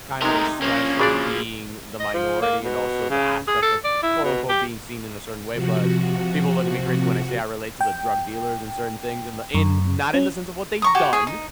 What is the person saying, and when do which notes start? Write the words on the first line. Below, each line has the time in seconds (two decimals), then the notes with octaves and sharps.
kinda the stress of being the minority and also the aspect of quote, unquote "being seen in a certain way," but people look at me crazy when I say I relate to the drug dealers and certain things in the in not in the sense of what they've done,
0.22 C3 G#3 A3 D#4 A#4
0.62 F3 A#3 C#4
1.00 C#3 D4 F#4 G#4 D5
2.00 D#5
2.14 F3
2.42 A#3
2.64 B2
3.10 C#3
3.48 G#4
3.62 A4
3.84 D5
4.03 E4
4.24 B2
4.49 G4
5.53 C3 F3 F#4
7.81 G5
9.54 F#2
10.14 C#4
10.82 A#5 C#6 D#6
10.95 F#4 G4 G#5
11.13 G#4 C#5
11.27 D#4